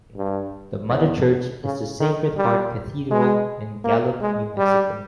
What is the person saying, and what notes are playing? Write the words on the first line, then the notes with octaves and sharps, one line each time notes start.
The mother church is the Sacred Heart Cathedral in Gallup, New Mexico.
G2
E2
C#3
D#3
G3
G#3
A#3
G#3
G3